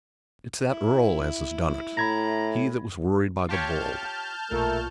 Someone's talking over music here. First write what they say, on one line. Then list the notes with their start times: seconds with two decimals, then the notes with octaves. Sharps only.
It's that earl as has done it,--he that was worried by the bull.
0.71 E4
1.97 A2 A#5 B5 G#6 A#6
3.49 F4 G4 C#5 A5 F6 G6
4.51 B1 A#2 A3 F4 A4 A#4 C#6